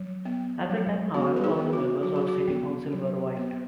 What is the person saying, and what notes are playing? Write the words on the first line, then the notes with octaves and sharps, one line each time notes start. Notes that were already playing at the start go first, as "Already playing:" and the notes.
At the time, however, all members of the city council were white.
Already playing: F#3
B3
F#3
B3 F#4
B4
D#4 G#4
B3
F#4
F#3 F#4
G#4
F#4
B3
F#3
B3